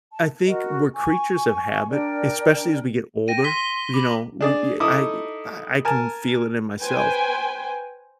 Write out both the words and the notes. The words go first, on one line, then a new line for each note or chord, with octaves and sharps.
I think we're creatures of habit, especially as we get older. You know? We uh I I I I can feel it in myself,
A5
F#4 A#4 D#5
G#5 C#6
D4 A#4 D5 G5
G5 A#6 D#7
C6 B6 G7
B5 D6
D4 G#4 D5
D#4 E4 A4 D6 D#6
A#4 G#5 A5
B4 C5 G5 G#5